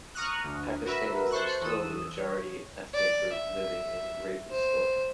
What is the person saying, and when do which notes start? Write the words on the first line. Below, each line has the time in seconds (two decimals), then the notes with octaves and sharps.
Pakistanis are still the majority ethnic group living in Ravensthorpe.
0.15 A#5 C#6 D#6 F6 F#6
0.44 D2
0.85 F#4 A#4 B4 E5
1.31 A4 C5 C6 C#6 F#6
1.61 E2 A4 D#6 E6
2.17 C#5
2.94 D5
3.33 E5
4.51 C5